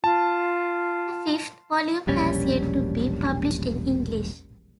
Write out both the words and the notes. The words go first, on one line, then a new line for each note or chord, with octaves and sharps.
The fifth volume has yet to be published in English.
F4 A5
E1 A#1 G3 C#4